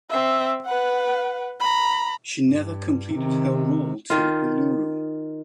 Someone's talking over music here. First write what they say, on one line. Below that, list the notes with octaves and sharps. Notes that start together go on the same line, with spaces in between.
She never completed her roll to Uluru.
C4 E5
B4 F#5
A#5 B5
G2
C3 D#3
D#3 F4